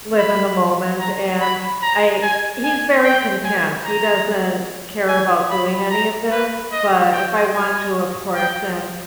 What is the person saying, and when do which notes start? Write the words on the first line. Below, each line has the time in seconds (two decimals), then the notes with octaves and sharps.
live in the moment. And I he's very content. He doesn't care about doing any of this. But if I want to, of course, then
0.18 B5
1.00 A#5
1.41 B5
1.82 A#5
2.23 G#5
2.64 G#5
3.04 G5
3.45 G#5
3.85 A#5
5.08 G#5
5.50 B5
5.91 A#5
6.31 B4
6.72 D#5
7.12 G5
7.54 G#5
8.36 G5